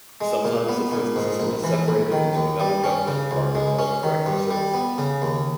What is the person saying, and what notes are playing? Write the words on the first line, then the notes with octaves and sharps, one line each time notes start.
Sometimes the prison system is separated into another government department called Corrective Services.
G#3
A#2
B3
A#2
G#2
A#1
E3
A#1
D#3
D#2
G3
C#4
C#3
C#2
G#3
C#4
D#3
G2
G3
B3
C#3
D#2